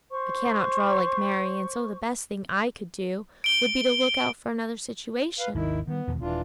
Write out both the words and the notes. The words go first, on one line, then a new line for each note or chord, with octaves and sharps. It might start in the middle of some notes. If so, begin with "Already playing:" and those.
I cannot draw like Mary, and so the best thing I could do would be to look out for another situation.'
C5 C#6
D7 G7
B4 F5
G#1 D#2 D#3 E4
D#3 G3 B3
E2 B2 D#3
D#1 E3 D4 F4